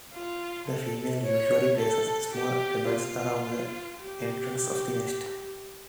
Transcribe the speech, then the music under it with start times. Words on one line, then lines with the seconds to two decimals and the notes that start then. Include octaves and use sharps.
The female usually places small pebbles around the entrance of the nest.
0.13 F4
0.68 A4
1.23 C#5
1.78 A4
2.33 G4
2.88 F4
3.98 G4